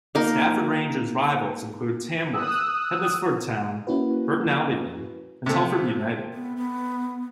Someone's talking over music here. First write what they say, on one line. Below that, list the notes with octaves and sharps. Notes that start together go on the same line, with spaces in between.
Stafford Rangers' rivals include Tamworth, Hednesford Town, Burton Albion, and Telford United.
A#3 D#4 A#4
D#6 E6 F#6
A#3 C#4 E4 F#4 B4
C3 A3 C5
B3
B3